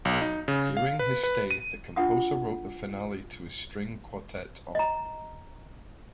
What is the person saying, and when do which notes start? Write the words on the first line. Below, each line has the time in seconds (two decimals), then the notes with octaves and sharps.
During his stay the composer wrote the finale to his String Quartet Op.
0.05 B1
0.21 D#4
0.48 C#3
0.77 F5
0.99 B4
1.23 B4
1.51 D#7
1.96 D4 F4 F#5 D#6
4.75 D#5 A#5